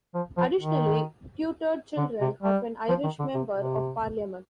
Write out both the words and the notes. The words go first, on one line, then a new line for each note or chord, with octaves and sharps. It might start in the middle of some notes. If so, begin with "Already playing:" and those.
Additionally tutored children of an Irish member of parliament.
F3
F3
D#3
D3
C3
G3
F3
D#3
D3
C3
C3